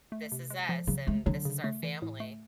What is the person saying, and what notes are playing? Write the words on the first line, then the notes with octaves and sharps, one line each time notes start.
this is us, and this is our family.
A3
C3
G#3
F3
C#3 F#3
G#3 A3
D3 F#3
C#3
A3
E3
A2
A3